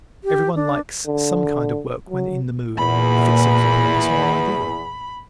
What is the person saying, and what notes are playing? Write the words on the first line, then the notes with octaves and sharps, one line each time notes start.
Everyone likes some kind of work when in the mood if it serves a purpose or an ideal.
G4
D4
D3
F#3
E2 A#2 B5